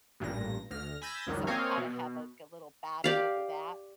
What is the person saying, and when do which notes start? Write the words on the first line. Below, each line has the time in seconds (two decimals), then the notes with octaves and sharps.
So we kind of have, like, a little battle over that
0.20 A1 G2 A#2 A#6
0.71 D2 F6 A#6
1.02 G#5 B5 E6 G6 A6 A#6
1.27 C#2 F#2 D#3 F#3 G3
1.47 A#3 C4 C#5 D#5 F5 G#5
1.77 B2
3.04 G4 D5 F5